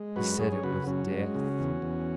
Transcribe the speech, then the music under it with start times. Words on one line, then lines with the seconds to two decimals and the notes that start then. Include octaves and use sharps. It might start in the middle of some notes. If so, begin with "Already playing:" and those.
He said it was death.
Already playing: G#3
0.16 F#2 F#4 B4
0.39 F#2 G#4 C#5
0.52 C#5
0.63 C#3 F#4 B4
0.87 F#2 C#4 F#4
1.11 G#3
1.35 C#3
1.59 E2
1.82 E2